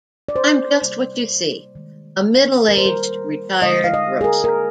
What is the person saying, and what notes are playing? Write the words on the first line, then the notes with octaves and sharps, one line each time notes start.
I'm just what you see — a middle-aged retired grocer.
D5
C5
C3 G3 A#3
D#3 G#3
D#3 G3 A#3 A#4
C5
A#4
D3 G#3 D#5
F5
D#5
G#4
A#4
A#4